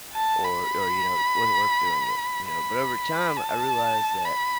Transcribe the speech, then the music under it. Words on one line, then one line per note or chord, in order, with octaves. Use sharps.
or or, you know, it wasn't worth doing it, you know? But over time, I realized that,
A5
B5
B5
A5
B5